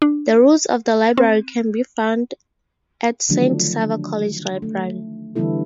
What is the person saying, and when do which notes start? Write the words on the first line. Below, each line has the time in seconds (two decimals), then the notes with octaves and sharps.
The roots of the library can be found at Saint Sava College library.
0.02 D4
1.17 C4
3.29 D3 D#3 F3 F#3 A3 D4
4.62 A3
5.36 D3 E3 G3 B3 E4 A4